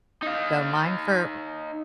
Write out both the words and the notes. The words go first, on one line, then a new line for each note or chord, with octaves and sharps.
go mine for
D#4 F5